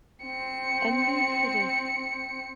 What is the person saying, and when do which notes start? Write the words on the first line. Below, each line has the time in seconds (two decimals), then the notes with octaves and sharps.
a new tradition.
0.25 C4 C#7